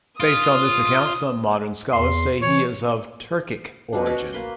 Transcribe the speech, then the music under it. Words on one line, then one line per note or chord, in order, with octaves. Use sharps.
Based on this account, some modern scholars say he is of Turkic origin.
F4 D#6
E2 C6
E3 C#5
B2 D4
C#4 F#4 D6
A#3 B4 C6